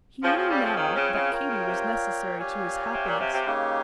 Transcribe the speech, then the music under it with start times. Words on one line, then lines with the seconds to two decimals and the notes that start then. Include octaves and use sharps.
He knew now that Katy was necessary to his happiness.
0.23 F3 C4 F4 G#4 C#5 F5
0.36 F3
0.50 G3
0.64 F3
0.77 D#3
0.95 C#3
1.13 C#3
1.30 F4 A#4 C#5 G5
1.48 C#3
1.67 C3
1.85 A#2
2.38 G4 C#5 F5 G#5
2.93 C3
3.06 A#2
3.19 C3
3.33 C3
3.46 C#3 A#3 D#4 G4 C#5